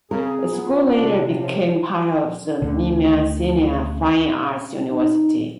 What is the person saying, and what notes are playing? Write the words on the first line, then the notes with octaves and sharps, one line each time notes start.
The school later became part of the Mimar Sinan Fine Arts University.
C#3 C4 G#4 A#4
B3 F4
C3 D4
F3 C#5
D2 D3
D#4